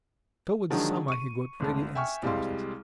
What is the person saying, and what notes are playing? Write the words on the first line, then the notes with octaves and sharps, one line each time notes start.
Towards summer he got ready and started.
D3 D#3 F3 F#3 G#3 D4
C#6 D#7
G#1 D2 A5
E5 G5 G#5 C#6 F6
C2 G3 G#3 C4 F5 C6